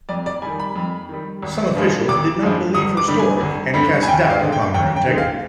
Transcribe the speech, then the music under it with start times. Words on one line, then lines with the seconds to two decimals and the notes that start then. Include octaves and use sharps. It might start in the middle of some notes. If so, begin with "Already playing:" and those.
Some officials did not believe her story and cast doubt upon her integrity.
0.09 F2 D5
0.26 D5
0.42 G3 G#5
0.46 D#3
0.60 B5
0.76 F2
1.09 D#3 G3
1.42 G#1
1.75 G2 F3 G#3
2.08 G#1 D6
2.42 G2 F3 G#3
2.75 G1 D#6
2.97 D6
3.08 G2 D3 G3
3.19 G#5
3.41 G1
3.74 G2 D3 G3
4.03 G#5
4.07 D#2 G5
4.30 F5
4.40 D3 G#3
4.52 G5
4.74 D#2 G5
4.96 G5
5.07 D3 G#3
5.18 F5